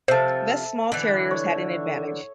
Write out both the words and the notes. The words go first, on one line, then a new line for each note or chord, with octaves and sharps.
Thus small terriers had an advantage.
C3 F3 A4 C5 E5
D3 E3
C#5